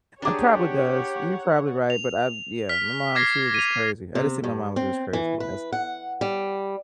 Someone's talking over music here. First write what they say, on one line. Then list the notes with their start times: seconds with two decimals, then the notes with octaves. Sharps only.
It probably does, and you're probably right, but I've yeah, my mom, she was just crazy. I just think my mom was just crazy. That's
0.22 D4 G4 G#4 C#5 F#5 A#5 D6
1.90 F7
2.69 F6 B6
3.15 D6 F6 G#6 A#6 C7
3.54 D#7 F7
4.15 C3
4.44 G2
4.76 C4
5.13 E3
5.40 B4
5.72 F#5
6.21 G3